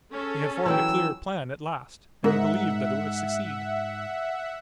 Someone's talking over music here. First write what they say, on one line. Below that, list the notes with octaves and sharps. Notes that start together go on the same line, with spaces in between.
He had formed a clear plan at last, and he believed that it would succeed.
C#4 G#4 A4
E3 F#3 G5 E6
G#2 D#4 A#4 E5 F#5